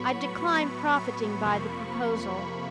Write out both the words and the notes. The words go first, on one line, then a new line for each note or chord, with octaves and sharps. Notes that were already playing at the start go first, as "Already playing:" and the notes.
I decline profiting by the proposal.
Already playing: A2 F#3 B3 B5 C#6
B5 C#6
B5 C#6
F2 C3 F3 A#3
B5 C#6